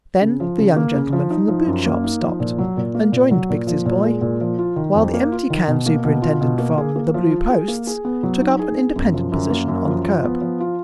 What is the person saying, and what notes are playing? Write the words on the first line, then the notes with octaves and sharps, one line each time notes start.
Then the young gentleman from the boot-shop stopped, and joined Biggs's boy; while the empty-can superintendent from "The Blue Posts" took up an independent position on the curb.
C#3
F3
C#3
A#3
C#3
F3
D#4
F3
F#2
A#3
D#4
F3
A#2
F#3
A#2
A#3
A#2
F#3
A#2
F3
A#2
G#3
A#2
F3
F4
D#3
F2
A#3
F4
D#3
B2
A#3
B2
F4
B2
A#3
G#4
A#3
F3
F4
G#4
A#3
G#4
B3
F#3
D#4
G#4
B3
F#2
F3
F#2
A#3
F#2
F3
F3
B3
F3
F4